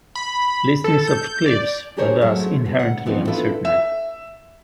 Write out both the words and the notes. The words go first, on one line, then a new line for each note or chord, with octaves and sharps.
Listings of cliffs are thus inherently uncertain.
B5
A4
G6
D5
D4 G4 G#4 A#4 C5 C#5
G#2 F#3 G#3 A3
G#3 B3
D2 F#5
E3 F3 B3 C4 D#4
B3 D4 E4 F4 A4 B4
E5